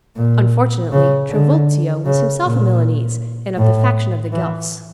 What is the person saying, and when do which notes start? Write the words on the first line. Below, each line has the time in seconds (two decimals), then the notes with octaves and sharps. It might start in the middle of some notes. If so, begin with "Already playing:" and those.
Unfortunately Trivulzio was himself a Milanese and of the faction of the Guelphs.
0.16 A#2
0.92 C#3
1.30 D3
2.05 C#3
2.43 A#2
3.57 A2
4.32 E3